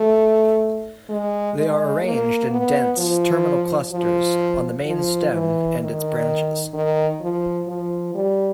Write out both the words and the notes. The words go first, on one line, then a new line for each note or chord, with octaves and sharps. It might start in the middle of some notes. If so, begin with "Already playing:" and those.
They are arranged in dense, terminal clusters on the main stem and its branches.
Already playing: A3
G#3
G#3
A#3
B3
F3
F3
F3
E3
D#3
D#3
F3
F3
G3